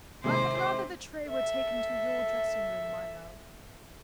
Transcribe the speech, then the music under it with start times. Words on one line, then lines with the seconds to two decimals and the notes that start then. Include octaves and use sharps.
"I had rather the tray were taken to your dressing-room, my love."
0.24 C3 D#3 G#3 C5
1.27 A4 E5